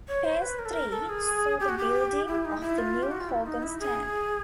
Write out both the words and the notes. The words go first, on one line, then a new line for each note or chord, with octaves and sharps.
Phase Three saw the building of the new Hogan Stand.
C#5
C5
B4
A#4
A4
A#4
A4
G#4
G4
F#4
G4
E4
D#4
E4
F4
G4
F#4
F4
E4
D#4
E4
G#4